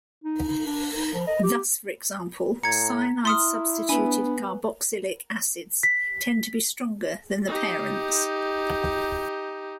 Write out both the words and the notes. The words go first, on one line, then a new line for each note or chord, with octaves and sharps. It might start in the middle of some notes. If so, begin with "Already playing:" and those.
Thus, for example, cyanide-substituted carboxylic acids tend to be stronger than the parents.
D#4
D#4
D4
D#4
F3
D#5
G4
A2 A#5 G#6 C#7
E4 C6 D#6 F6
B3 D4 G#5 B5
B6
D#4 G4